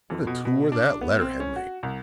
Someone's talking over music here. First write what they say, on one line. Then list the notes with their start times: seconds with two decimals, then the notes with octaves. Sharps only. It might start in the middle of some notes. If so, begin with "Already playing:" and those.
What a tour that letter had made!
0.10 F2
0.27 B2
0.45 B2
0.72 D4
1.01 B3
1.21 C4
1.40 C#4
1.56 F#4
1.83 C2